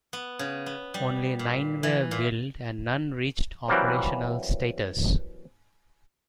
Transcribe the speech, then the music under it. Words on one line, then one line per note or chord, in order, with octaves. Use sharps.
Only nine were built and none reached operational status.
B3
C#3
B3
G3
A#2
E3
A#2
E3 F#3 G3 A#3 C4